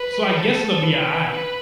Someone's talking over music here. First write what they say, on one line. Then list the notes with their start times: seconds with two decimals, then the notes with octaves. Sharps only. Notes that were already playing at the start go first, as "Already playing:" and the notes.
So I guess it'll be aight."
Already playing: B4
0.36 A4
0.84 B4
1.31 B4